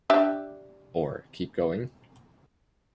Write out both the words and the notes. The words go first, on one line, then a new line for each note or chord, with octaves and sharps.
Or, keep going?
D4 G4 E5